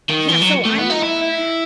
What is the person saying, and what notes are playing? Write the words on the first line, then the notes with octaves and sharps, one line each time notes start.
Yeah, so I'm more
D#3
E3
F#3
A3
B3
D#4
E4